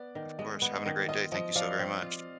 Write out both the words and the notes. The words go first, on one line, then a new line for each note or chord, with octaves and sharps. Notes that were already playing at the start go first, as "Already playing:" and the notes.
Of course having a great day thank you so very much.
Already playing: B3 D5
D#3
G#3 D#5
B3
D#5
D#3
F4 D#5
F3 D#5
F3 D5 F5
C4
F4